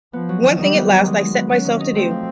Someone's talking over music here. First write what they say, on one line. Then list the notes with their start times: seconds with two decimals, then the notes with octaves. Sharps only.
One thing at last I set myself to do.
0.13 F3 B3
0.29 F#3
0.44 D#3
0.59 G3 D#4
0.74 B3
0.89 F#3
1.05 D#3 G#3
1.19 D#4
1.34 B3
1.49 F#3 C#4
1.65 D#3
1.80 D#4
1.95 A3 C4
2.10 F3